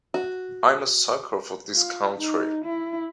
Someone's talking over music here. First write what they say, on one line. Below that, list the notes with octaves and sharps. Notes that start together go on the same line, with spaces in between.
I'm a sucker for this country.
F#4
F4
D#4
E4